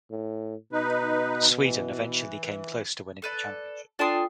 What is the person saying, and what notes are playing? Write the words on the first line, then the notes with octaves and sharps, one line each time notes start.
Sweden eventually came close to winning the championship.
A2
B2 D#4 B4
E3
A4 B4 D5
D4 F4 A4 G5 G#5 C6 D#6